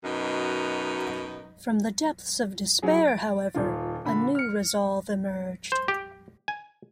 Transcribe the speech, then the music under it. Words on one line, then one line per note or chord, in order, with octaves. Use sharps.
From the depths of despair however, a new resolve emerged.
F#2 B2 D#4
F#3 G#4
A6 D7
D#1 D#3 F4
A#2 D3 B5
F6 C#7
C5
G4
G#5